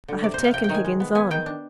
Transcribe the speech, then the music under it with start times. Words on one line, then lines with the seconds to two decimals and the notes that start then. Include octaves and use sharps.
I have taken Higgins on.'
0.08 D3
0.23 C3 D5
0.34 C5
0.39 C3
0.44 F5
0.54 C3 G5
0.64 G5
0.69 D#3
0.74 G#5
0.85 G#3
1.00 B3
1.15 B3 G#5
1.31 D#3 G5
1.46 D4